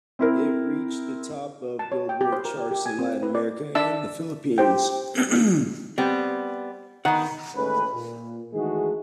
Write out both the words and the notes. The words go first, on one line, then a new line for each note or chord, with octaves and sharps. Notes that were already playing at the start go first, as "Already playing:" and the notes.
It reached the top of Billboard charts in Latin America and the Philippines.
C4 E4 A#4
A5
C#5
G5
G4
C5
A#4
G4
G4
G#5
C4
B4
D5
D4 E5 A5 E6
G4 C5 G5
G3 B3 C4
D#3 B3 F#5
A1 D#2 A2 G#3 C#4 B4
A#2
D#3 E3 G#3 A3 F#4 G#4